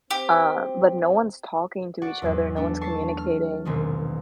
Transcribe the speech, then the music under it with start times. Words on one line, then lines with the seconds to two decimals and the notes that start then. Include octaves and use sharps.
uh, but no one's talking to each other, no one's communicating,
0.11 C4 G4
2.02 F#4 D5 F#5
2.22 E2 G#2 F#3
2.56 A3 B3 D4
2.81 A5 C#6 C7
3.18 F6
3.65 E1 C2 D#3